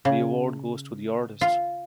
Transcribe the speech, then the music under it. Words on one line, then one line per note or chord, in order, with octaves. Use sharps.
The award goes to the artist.
C#3
F4